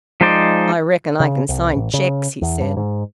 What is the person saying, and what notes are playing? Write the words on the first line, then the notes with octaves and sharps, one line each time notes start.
"I reckon I can sign cheques," he said.
F3 G#3 D#4 C5 D5
C#3
C2
A1
C#3
E2
G2
G#2